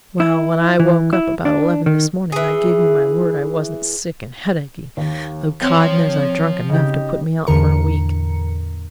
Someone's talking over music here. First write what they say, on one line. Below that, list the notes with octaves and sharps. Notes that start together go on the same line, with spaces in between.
Well, when I woke up about eleven this morning I give you my word I wasn't sick and headachy, though God knows I'd drunk enough to put me out for a week....
E4
E3
E4
D4
D#3
E3 G#4
D#2
F3 C4 C#5 G5 C6
C#3 D#4 G4 D#5
E2 A2 D3 A#4 C#7